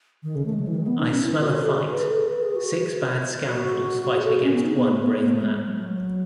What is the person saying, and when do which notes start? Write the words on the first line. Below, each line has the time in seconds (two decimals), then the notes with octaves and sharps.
I smell a fight — six bad scoundrels fighting against one brave man.
0.23 D#3
0.35 C#3
0.46 A3
0.53 G#3
0.60 F#3
0.67 E3
0.75 D#3
0.87 B3
0.99 D#4
1.13 C#4
1.22 E4
1.32 D#4
1.42 F#4
1.52 F#4
1.61 A4
1.71 G#4
1.91 B4
2.04 G#4
2.10 A4
2.29 B4
2.43 G#4
2.56 F#4
3.46 F#4
4.17 G#4
4.24 A4
4.33 G#4
4.44 C#4
4.52 B3
4.63 D#4
4.76 B3
4.89 A3
5.02 B3
5.15 B3
5.28 A3
5.41 G#3
5.53 G#3
5.66 F#3